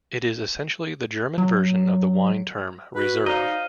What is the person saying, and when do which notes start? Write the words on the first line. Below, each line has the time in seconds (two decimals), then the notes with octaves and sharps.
It is essentially the German version of the wine term Reserve.
1.38 F#3
2.95 F#4 B4
3.26 D#4 C5 D5 D#5 F5 A#5